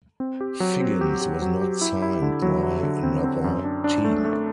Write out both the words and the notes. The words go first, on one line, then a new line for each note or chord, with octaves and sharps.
Figgins was not signed by another team.
C4
G4
F#3
C4
G4
G4
F#3
G4
E4
E4
D3
F#3
F#3
D3
C4
C4
F#2
D4
D4
A3
A3